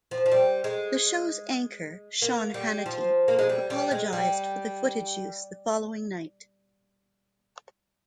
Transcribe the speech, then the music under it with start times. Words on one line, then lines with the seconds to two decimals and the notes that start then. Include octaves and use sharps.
The show's anchor, Sean Hannity, apologized for the footage use the following night.
0.11 F3
0.26 F3
0.31 G3
0.64 G#3
2.22 A#3
2.54 G3
2.86 F3
3.28 A#3
3.39 G#3
3.49 G3
3.70 G3
3.91 G#3
4.13 G3